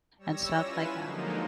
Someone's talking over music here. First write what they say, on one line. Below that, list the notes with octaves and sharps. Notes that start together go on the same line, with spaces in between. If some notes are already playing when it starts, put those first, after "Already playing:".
and stuff like that.
G3 C#5 E6 A#6
C#4 E4 F4 B4 G#5 E7
D3 F3 F#3 G#3 A#3 D#4